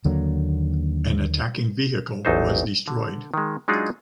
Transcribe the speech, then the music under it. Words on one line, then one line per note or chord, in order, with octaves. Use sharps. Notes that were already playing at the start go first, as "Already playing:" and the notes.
An attacking vehicle was destroyed.
D#2 D3 F#3 A#3
A1 E2 F#3 D#4 A4 C5
D3
D#3 G#3
F#3 G#3 D4 D#4 F4 G#4